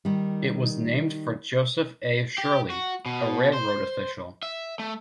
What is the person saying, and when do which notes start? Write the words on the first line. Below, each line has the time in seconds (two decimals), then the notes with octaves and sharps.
It was named for Joseph A. Shirley, a railroad official.
0.05 D#3 G3
2.38 G4
2.70 F#4
3.06 B2
3.53 C5
4.43 E5
4.79 A3